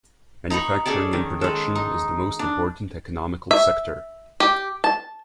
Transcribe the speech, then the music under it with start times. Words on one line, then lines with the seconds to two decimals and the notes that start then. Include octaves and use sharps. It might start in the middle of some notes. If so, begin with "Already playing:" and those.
Manufacturing and production is the most important economical sector.
0.50 D#4 A#5 B5 C#6
0.85 C#4 G#4 A4 D5
1.13 D#3
1.41 G#3 A4
1.75 D#4
2.39 D4
3.51 E5
4.40 G4
4.84 A5